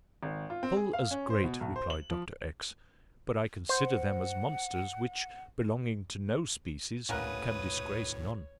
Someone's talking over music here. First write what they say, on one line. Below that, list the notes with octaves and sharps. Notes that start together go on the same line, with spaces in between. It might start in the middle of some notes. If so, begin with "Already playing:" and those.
"Full as great," replied Dr. X----; "but I consider them as monsters, which belonging to no species, can disgrace none."
G#1
F4
C4
G#4
F5
C#4
C5
B2
B1
C5
F#7
F3
C5 F#5
D2 A2 C#3 A#4 B4 C#5 F#5 D#6